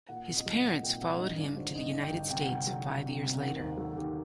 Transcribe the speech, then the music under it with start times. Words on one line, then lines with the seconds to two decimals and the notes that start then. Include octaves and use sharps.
His parents followed him to the United States five years later.
0.09 A#2 F#5
0.27 C2
0.36 D#5
0.46 F#3
0.64 C2 F#5
0.82 A#2 G5
1.01 C2 F#5
1.19 G2 D#5
1.38 G1 D5
1.56 F#3 C5
1.75 G1 D#5
1.93 G2
2.02 G5
2.12 G1
2.30 C3 G5
2.41 F#5
2.49 C2 G5
2.67 F#3
2.86 C2
3.04 C3
3.22 C2
3.40 D#3 F#5
3.59 D#2 C5
3.77 F#3 A4
3.96 D#2 G4